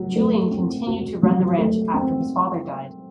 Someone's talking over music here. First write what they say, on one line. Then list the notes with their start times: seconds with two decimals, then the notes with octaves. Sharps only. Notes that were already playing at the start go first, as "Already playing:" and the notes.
Julian continued to run the ranch after his father died.
Already playing: F#3
0.16 A3
0.50 C4
0.87 F#4
1.23 F#3
1.58 A3
1.93 C4